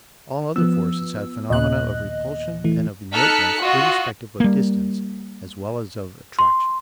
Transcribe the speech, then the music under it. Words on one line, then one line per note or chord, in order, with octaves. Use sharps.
All other forces have phenomena of repulsion and of inertness irrespective of distance, as well as of attraction.
F3 B3 E6
D#2 A#2 D#5 F#6
E3 A3
D#4 A4 F6 F#6 B6 C#7
F4 F#4 D#5
G3 A#3
C6